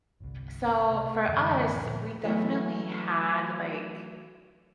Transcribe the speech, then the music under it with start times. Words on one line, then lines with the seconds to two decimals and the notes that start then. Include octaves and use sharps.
So for us, we definitely had, like,
0.20 G1 C2
0.91 C3 A3
1.28 F#2 D3 E3 G#3
1.72 D2 A#2 F3 B3
2.24 E3 F#3 A3 B3